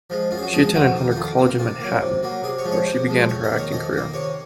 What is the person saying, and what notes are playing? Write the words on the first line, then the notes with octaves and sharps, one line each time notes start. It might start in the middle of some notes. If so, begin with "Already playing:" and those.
She attended Hunter College in Manhattan, where she began her acting career.
F3 G#3
F#2 F4
G#4
F#4
F3 G#3 G#4
G#4
F2 F#4
D#3 A#3
D#4
F2 F4
D#3 A#3
C3 F4
F#3 A#3
C3
F#3 A#3
C3 G#4
C#5
F3 G#3
C#5
C3 C5
F3 G#3
F2 C#5
D#5
D#3 A#3
C#5
F2 D#5
D#3 A#3
C3 C#5